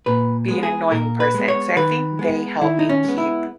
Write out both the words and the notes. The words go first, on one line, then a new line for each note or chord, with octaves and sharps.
be an annoying person, so I think they help me keep
A#2 B4
G#3 B3
G#4
A#2 A#4
B4
G#3 B3
C#5
D#3 B4
G#3 B3
D#3 E4
D#4
C#4
G#3 B3
E4